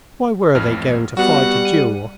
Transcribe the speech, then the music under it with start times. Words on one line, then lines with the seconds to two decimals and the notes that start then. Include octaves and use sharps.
Why were they going to fight a duel?
0.55 A1 F2 F6
1.17 G3 B3 F#4 F#5
1.65 D#7